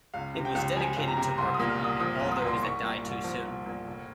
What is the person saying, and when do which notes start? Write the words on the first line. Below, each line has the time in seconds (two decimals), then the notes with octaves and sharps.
It was dedicated to Mercury and all those that die too soon.
0.14 C#2 F5
0.34 C3
0.45 G5
0.55 C#2
0.76 F3 G#5
0.96 C#2
1.08 A#5
1.17 C3
1.38 C2 C6
1.54 D#6
1.59 A#2
1.69 F6
1.79 C2 D#6
2.00 F3 D#6
2.15 F6
2.21 C2
2.31 D#6
2.42 A#2
2.47 C6
2.63 C2 C#6
2.83 A#2
3.04 C2
3.24 F3
3.46 C2
3.66 A#2
3.87 F1